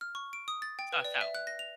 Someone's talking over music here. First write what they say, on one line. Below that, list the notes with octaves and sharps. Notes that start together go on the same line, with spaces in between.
Stuff out.
F6
C#6
D7
D#6
A6
G5
B4
D5
E5
F#6
A#6
F7